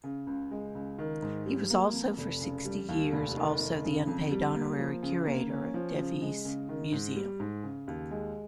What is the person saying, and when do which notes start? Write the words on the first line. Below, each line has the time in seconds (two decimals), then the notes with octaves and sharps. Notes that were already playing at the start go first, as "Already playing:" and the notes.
He was also for sixty years also the unpaid honorary curator of Devizes Museum.
0.04 C#3
0.27 C#2
0.51 G#3
0.75 C#2
0.99 D#3
1.22 G#2
1.46 G3
1.70 A#3
1.93 F2
2.18 F1
2.41 C#3
2.65 G3
2.89 D#2
3.12 F1
3.36 D#3
3.60 F1
3.84 C#3
4.07 F2
4.31 G3
4.55 A#3
4.79 F3
5.03 C#3
5.26 A#3
5.50 C#4
5.74 F3
5.97 C#3
6.21 G#3
6.45 C#3
6.69 D#3
6.92 G#2
7.16 G3
7.40 G#2
7.64 C#3
7.88 D#2
8.11 G#3